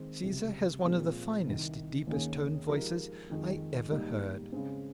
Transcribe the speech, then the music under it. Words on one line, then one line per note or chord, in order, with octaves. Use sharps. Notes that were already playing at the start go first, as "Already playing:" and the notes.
Caesar has one of the finest, deepest-toned voices I ever heard.
Already playing: D#3 G#3 C4
C#2 C3 G3
A#2 F3 G#3 C4
C2 C3 D#3
D#2 D#3 A#3 C#4 G#4
F3 G#3 D#4 G4 A#4
F2 D#3 G#3
G#2 G3 A#3 D#4
C#3 G#3 C4